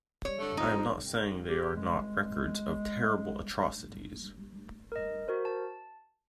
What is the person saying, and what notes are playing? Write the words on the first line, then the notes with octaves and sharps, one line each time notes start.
I am not saying they are not records of terrible atrocities.
C#5
D3 A3
F2 D#4
G4
G#3
A#4 D#5
F#4 A#4 C5
A5